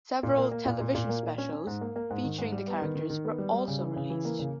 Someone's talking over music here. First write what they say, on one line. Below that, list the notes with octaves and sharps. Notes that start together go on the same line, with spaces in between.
Several television specials featuring the characters were also released.
A#2
A#3
A#3
A#2
A#2
A#2
A#3
A#2
C#4
C#4
G#2
A#3
A#3
G#2
D#3
G#2
G3
B3
D#3
D#3
D#3
B3
G3
G3
C#3
E3
C#3
E3
A#3
C#3